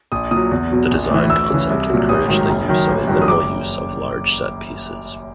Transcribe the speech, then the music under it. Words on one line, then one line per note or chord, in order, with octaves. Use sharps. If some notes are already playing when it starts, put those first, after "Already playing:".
The design concept encouraged the use of a minimal use of large set pieces.
A#1 D#6
A#2 D#6
F#3
E2
B2 F#3
A#1
A2 E3
D2 E6
C#3 E3
C2
A#2 F#3
A1 D#6
G#2 D#3 F#3
F#1
F#2 D#3 F#3
A1
G2 D#3 F#3
D#6
F#1 D6